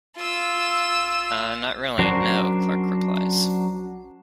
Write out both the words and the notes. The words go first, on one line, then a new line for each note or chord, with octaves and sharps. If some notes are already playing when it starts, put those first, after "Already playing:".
"Uh, not really, no", Clark replies.
F4 E6
F#3 C#4 D4 F#4 A#4 C5